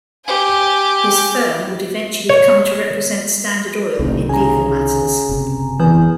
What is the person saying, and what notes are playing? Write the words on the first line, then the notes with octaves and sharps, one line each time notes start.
His firm would eventually come to represent Standard Oil in legal matters.
G4 G#5
C#5
F#1 C2 D#3
C#3 G#5 A#5
F#1 C3
E2 E3 B4 G#5